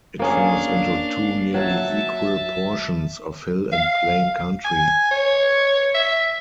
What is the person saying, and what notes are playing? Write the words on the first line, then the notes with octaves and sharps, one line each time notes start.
It falls into two nearly equal portions of hill and plain country.
A#3 C#4 D4 G#4 F5
F#3 E5 A5
F5
G#5
C#5
E5